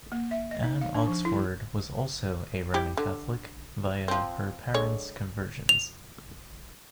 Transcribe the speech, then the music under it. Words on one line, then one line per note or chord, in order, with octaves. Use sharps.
Anne Oxford was also a Roman Catholic via her parents' conversions.
A#3
E5
D#5
D#4
F5
D4
F3
E4
G3 E4 G4
D3
F3 C4
D3 G#3 C#5
F7